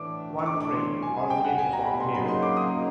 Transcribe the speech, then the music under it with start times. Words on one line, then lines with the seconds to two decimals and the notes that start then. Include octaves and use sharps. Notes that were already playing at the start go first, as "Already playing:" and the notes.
One train originate from here.
Already playing: A2 E3 A3 D4 D6
0.39 C#6
0.46 A2 E3 A3 D4 D6
0.60 D6
0.74 C6
1.02 B2 G3 B3 G#5
1.16 G#5
1.30 G5
1.44 F#5
1.58 B2 G3 B3 G#5
1.73 A#5
1.86 B5
2.00 C6
2.14 C#3 F#3 A#3 D#4 B5
2.28 C6
2.42 D6
2.57 D#6
2.70 C#3 F#3 A#3 D#4